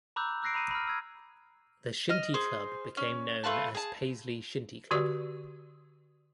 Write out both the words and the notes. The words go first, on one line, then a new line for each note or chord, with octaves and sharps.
The shinty club became known as Paisley Shinty Club.
A#5 B5 D6 E6 F#6 G6
D6
D6 E6 F#6 A#6 C7 D7
A#5 B5 D#6 D#7
B5 F6
E6 G#6
D#5 F6
G#4 C5
C#4
A3 F4 B4 A5
G#4 A5
D3 F#4 G4 D5 C#6